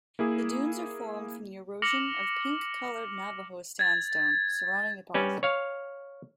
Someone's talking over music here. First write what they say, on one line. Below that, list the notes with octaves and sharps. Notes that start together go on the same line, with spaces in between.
The Dunes are formed from the erosion of pink-colored Navajo Sandstone surrounding the park.
A#3 E4 G#4
D6 F6 A#6 C#7 F7 F#7
G#6 A6
G3 C#4 B4
C#5 F5